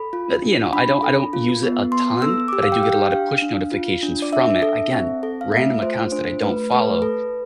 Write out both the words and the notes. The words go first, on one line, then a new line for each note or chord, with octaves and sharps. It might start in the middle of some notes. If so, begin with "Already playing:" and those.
But, you know, I don't I don't use it a ton, but I do get a lotta push notifications from it. Again, random accounts that I don't follow,
Already playing: A4 B5
F4
D4
D4 B5
A4
F4
B3
B3 C6
A4 E6
D6
G4 E6
F5
G5
G4 F5
G5
D4 F5
D4
F4
D4
D5
D4 E5
A4
C4
A4
F5
A3 E5
F4 C5
D4 C5
A3 B4
A3 B4
A4